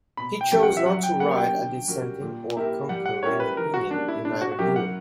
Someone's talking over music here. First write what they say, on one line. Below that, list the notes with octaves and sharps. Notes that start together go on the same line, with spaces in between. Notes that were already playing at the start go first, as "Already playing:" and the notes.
He chose not to write a dissenting or concurring opinion, in either hearing.
B2 B5
G5
G3 C#4 G4 A#4 G5
F#5
E5
F#3 F#5
G5
A#3 C#4 G4 F#5
G5
D3
G3 C#4 F#4 A#4
A#2
A#3 E4 G4 A#4
G3 F#5
F#5
C#4 E4 G4 A#4 C#5
B4
E3 A#4
F#4
G3 A#3 C#4 D4
E4
B2 D4
F#4
F#4
F#3 C#4 E4 G4 A#4
F#5